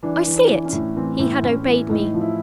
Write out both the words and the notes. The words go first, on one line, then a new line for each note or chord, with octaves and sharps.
"I see it." He had obeyed me.
E3 D4
E3
D4
E3
C#4
A2
E3 C4
A2
A2 C#4
E3
A2 D#4
F3
E4